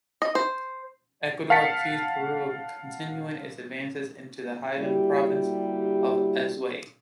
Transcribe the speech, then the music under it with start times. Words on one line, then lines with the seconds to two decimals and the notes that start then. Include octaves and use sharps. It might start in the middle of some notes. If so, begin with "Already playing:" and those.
Ecuador accused Peru of continuing its advances into the highland province of Azuay.
0.22 D#5
0.35 C5
1.50 F5 F#5 A5 A6 B6 C#7
4.78 D3 G3 A#3 E4 F#4 G4